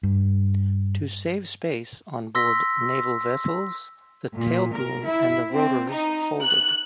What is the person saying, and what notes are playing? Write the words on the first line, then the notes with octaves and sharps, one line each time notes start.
To save space on board naval vessels, the tail boom and the rotors folded.
G2
C6 E6 A#6 B6
A#2
A#4
E4
C4
D#4
F#6